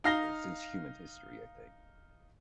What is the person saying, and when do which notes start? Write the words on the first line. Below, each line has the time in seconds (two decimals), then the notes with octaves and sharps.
eh, since human history, I think.
0.04 D#4 F5 A#6 G7